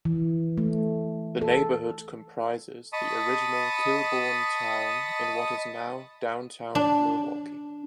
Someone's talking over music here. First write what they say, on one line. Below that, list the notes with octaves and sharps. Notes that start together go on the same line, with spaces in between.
The neighborhood comprises the original Kilbourn Town in what is now downtown Milwaukee.
E3
A3
A4
D#5 A5 B5 C#6 D#6
D4